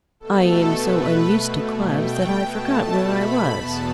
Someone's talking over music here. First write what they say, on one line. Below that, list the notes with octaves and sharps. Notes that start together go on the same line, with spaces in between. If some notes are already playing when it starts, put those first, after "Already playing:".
"I am so unused to clubs, that I forgot where I was."
B2 A3 A4
B4
B2 A3
G5
B2 A3 A5
B5
E2 B2 B3 A5